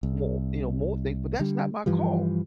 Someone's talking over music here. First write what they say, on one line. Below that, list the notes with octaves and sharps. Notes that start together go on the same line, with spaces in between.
mor you know, more things, but that's not my call
C2
D3 G3
G2 E3 F3 G3